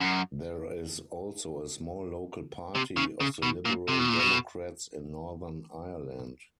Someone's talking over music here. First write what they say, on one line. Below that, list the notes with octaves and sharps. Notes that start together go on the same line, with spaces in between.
There is also a small local party of the Liberal Democrats in Northern Ireland.
F#2
C3
C#3
C#3
B2
A#2
C3
B2
A#2
B2